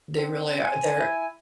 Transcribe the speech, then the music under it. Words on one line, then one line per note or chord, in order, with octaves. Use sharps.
They really a they're
C4
G#5
E4